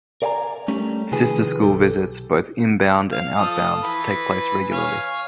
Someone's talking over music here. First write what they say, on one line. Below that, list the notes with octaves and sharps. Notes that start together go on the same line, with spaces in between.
Sister school visits, both inbound and outbound, take place regularly.
A#4 D5 F5 G5 G#5 A#5
G3 A3 C#4
C3 D#3 F3 G#4 B4
B1 G4 A4
F5
F3 A4 D#6
E3 B4
C#5 F5 G#5